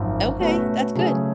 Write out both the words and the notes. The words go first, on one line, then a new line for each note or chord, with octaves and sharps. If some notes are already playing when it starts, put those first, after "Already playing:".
Okay, that's good.
Already playing: G#1 F#2 F3
B2 A3 C#4 F#4 B4
C#3 F#3 A3 C#4 G#4